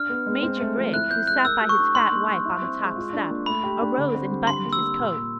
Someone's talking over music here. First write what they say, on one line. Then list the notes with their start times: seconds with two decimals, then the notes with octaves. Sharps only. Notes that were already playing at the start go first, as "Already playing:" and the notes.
Major Grigg, who sat by his fat wife on the top step, arose and buttoned his coat.
Already playing: D4 F6
0.09 B3
0.26 G#3
0.43 C4
0.60 A3
0.77 F3
0.93 E4 F#6
1.10 C4 G6
1.27 G#3 F#6
1.45 A#4 E6
1.61 F#4
1.69 C#6
1.78 D4
1.94 D#4 C6
2.11 A#3
2.28 G3
2.45 E4
2.62 C4
2.79 G#3
2.96 F4
3.13 D4
3.29 A#3
3.46 A3 B5
3.63 G4
3.81 D4
3.98 D3
4.15 C4
4.31 G3
4.47 D3 C6
4.65 A#3
4.73 E6
4.81 G3
4.99 A#2
5.16 A#3